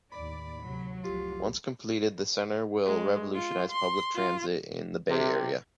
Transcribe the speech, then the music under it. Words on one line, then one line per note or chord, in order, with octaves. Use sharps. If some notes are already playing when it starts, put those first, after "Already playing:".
Once completed, the Center will revolutionize public transit in the Bay Area.
D#2 A2 D5 B5
D2 C3 F#3
F1 C2 F4 G4
G#3
F4
C6
F4
C3